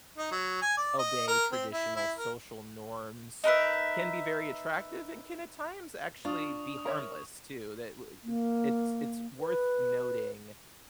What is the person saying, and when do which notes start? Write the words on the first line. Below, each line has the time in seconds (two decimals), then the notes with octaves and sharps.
obey traditional social norms," can be very attractive and can at times actually be harmless too. Tha w uh It's it's worth noting
0.18 D#4
0.31 F#3
0.62 G#5
0.77 D5
0.99 D#5
1.28 A#4
1.52 C4
1.73 E4
1.96 E4
2.17 A#4
3.44 D#4 A#4 B4 E5
6.25 D4 F4 C#6 D#6 F7
6.86 A#4 C#5 E5
8.23 A#3
9.39 B4